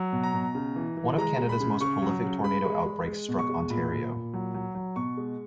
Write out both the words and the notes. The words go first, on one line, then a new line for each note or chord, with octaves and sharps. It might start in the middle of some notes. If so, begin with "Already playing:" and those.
One of Canada's most prolific tornado outbreaks struck Ontario.
Already playing: F#3
B2
A#5
B2
C#3
E3
E3
G#3 A#5
G#3
B5
C#3
C#3 C#6
F#3
C#3
G#3 B5
G#3
G#3
G#3
B2
C#6
G#3
A#2 B5
A#2
A#2
F#3
F#3
F#3
B2 C#6
G#3